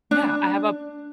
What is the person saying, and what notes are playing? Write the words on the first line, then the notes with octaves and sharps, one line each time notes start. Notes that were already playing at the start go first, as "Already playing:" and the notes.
Yeah, I have a
D4